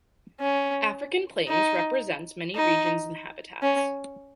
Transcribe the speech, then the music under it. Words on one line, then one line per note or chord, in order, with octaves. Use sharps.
African Plains represents many regions and habitats.
C#4
D#4
D#4
C#4